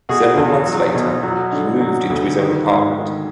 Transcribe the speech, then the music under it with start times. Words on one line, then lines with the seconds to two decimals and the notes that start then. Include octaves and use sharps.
Several months later, he moved into his own apartment.
0.09 B2 F#4 G#4
0.38 E2
0.67 F#3
0.95 B2
1.23 F#3
1.52 D3
1.80 F#3
2.10 D2
2.39 D#3
2.67 G#2
2.95 D#3